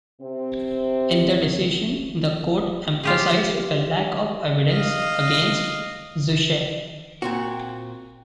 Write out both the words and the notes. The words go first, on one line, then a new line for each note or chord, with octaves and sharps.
In the decision, the Court emphasized the lack of evidence against Zucchet.
C3 C4
F4 G4 G#4
D#5 F5
A#2 C4 F#4